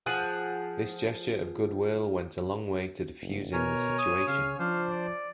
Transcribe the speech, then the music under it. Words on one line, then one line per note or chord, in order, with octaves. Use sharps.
This gesture of goodwill went a long way to defusing the situation.
F3 G#4 F#5
F#1
B2 A#4 C#5 G#5
D#6
C#3 F5
F3 D4 C5 F5
D5